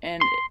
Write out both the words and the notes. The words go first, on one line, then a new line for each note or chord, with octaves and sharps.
And, eh,
C6